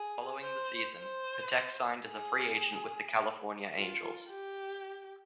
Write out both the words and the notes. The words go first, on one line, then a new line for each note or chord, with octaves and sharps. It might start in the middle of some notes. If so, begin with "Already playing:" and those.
Following the season, Patek signed as a free agent with the California Angels.
Already playing: G#4
C5
C5
G#4
F4
G4